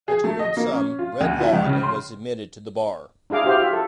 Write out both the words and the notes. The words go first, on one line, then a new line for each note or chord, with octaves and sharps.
I tutored some, read law, and was admitted to the bar.
G#4
A3
D#5
A#3
C#4
F4
D2
E4
C#2
C#3
C6
D4 E4 G#4 F5 D6
E4 F#4 G4 C5 F5
F4 E5
A4